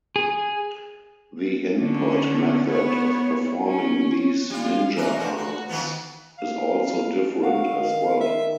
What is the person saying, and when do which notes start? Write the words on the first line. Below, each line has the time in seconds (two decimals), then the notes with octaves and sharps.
The input method of performing these ninja arts is also different as well.
0.16 G#4
1.79 D3 C#4
2.66 B3 C#5
3.65 C#4
4.50 G3 F4
4.96 E3 A#4 B4
5.16 C3 F3
5.37 F#4
5.69 D#3 F3 B3
6.38 F5
7.43 F#4 F5
7.74 D#3
8.21 E5